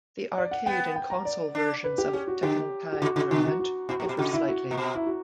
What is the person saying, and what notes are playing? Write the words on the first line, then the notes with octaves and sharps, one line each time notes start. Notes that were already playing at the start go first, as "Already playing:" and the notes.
The arcade and console versions of "Tekken Tag Tournament" differ slightly.
D5
F#5
B3 G5
G5
A#5
D5
D4
B4
G4
C#4 G4
F#4
D3 G4
G4
C#3 F#4
C#3 F#4
D3 F#4
F#4
F#4
B2 F#4
A#2
G4
B2
C#3 F#4
E4
F#4
A#2
B2
E4
F#4